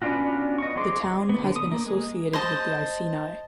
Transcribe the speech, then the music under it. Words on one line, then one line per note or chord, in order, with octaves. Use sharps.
The town has been associated with the Iceni.
B3 C#4 D4 F4 F#4
D#5 C#6
F#3 C4 G#4 C6 D6
B3
D3
D#6
A#3
G#3
C5 D#5 A5